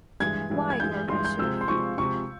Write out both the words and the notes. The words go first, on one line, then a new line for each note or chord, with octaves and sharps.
Why Gorbachev?
G2 E3 G#3 G#6
G2 E3 G#3
G#6
G2 E3 G#3 G6
G2 E3 G#3 C6
G6
C3 F3 G#3 E6
C6
C3 F3 G#3 C#6
C3 F3 G#3 C#6